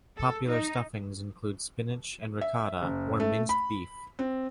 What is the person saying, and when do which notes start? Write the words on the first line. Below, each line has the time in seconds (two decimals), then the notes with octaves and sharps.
Popular stuffings include spinach and ricotta or minced beef.
0.17 A4
0.47 D#4
2.41 E5
2.82 F#1
3.20 A3
3.49 B5
4.19 C4